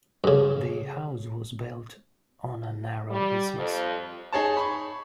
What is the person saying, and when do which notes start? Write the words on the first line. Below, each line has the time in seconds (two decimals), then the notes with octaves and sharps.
The house was built on a narrow isthmus.
0.24 G2 C#3
3.10 G3
3.57 F2
4.33 D#4 G#4 C#5 A5
4.57 B5 C#6